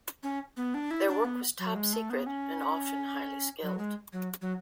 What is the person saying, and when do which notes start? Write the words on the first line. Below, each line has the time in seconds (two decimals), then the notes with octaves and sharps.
Their work was top secret and often highly skilled.
0.23 C#4
0.57 B3
0.74 D4
0.91 E4
1.08 D4
1.25 B3
1.59 F#3
1.75 G#3
1.93 A3
2.10 B3
2.26 C#4
3.63 F#3
3.78 G#3
4.13 F#3
4.42 F#3